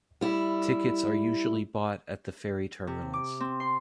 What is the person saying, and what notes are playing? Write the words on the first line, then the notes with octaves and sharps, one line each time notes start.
Tickets are usually bought at the ferry terminals.
G3 E4
C3
D6
C4
C6